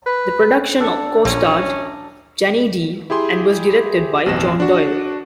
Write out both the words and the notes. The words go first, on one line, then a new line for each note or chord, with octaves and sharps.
The production co-starred Janie Dee and was directed by John Doyle.
B4
D4 A4
A#1 C#4 A#5
E4 G4 G#4 C6
A1 F2 B2 C4 A#6 E7
D4 F#4